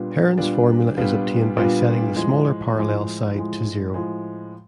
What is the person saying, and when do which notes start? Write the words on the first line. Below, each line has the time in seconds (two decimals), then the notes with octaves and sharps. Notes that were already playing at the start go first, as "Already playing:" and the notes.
Heron's formula is obtained by setting the smaller parallel side to zero.
Already playing: A#2 G3 B3 D4 F4
0.38 A#2 G3 B3 D4 F4
0.97 A#2 G3 B3 D4 F4
1.56 A#2 G3 B3 D4 F4
2.15 A2 F3 G#3
2.75 A2 F3 G#3
3.35 A2 F3 G#3
3.94 A2 F3 G#3